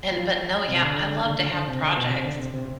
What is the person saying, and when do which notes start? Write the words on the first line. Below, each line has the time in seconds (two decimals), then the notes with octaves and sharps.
And but no, yeah, I love to have projects
0.11 F3
0.68 C3
0.82 D3
1.25 D3
1.39 D3
1.54 D3
1.68 C3
1.82 D3
1.96 B2
2.11 C3
2.25 D3
2.39 C3
2.54 C3